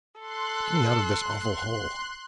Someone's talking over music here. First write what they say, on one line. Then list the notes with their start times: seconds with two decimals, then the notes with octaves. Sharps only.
"Get me out of this awful hole."
0.20 A4 C6 F#6